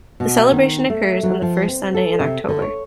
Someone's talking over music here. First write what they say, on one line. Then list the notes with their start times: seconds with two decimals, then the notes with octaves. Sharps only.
The celebration occurs on the first Sunday in October.
0.20 B2
0.52 D#3
0.90 A3
1.23 F#3
1.42 F3
1.68 C4
1.94 A4
2.20 C3
2.48 D3
2.62 C#5